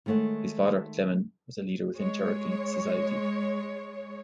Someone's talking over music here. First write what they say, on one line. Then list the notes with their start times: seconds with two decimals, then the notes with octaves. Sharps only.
His father, Clement, was a leader within Cherokee society.
0.06 D#3 G#3 A3 C#5 F#5
1.97 G#3 C#5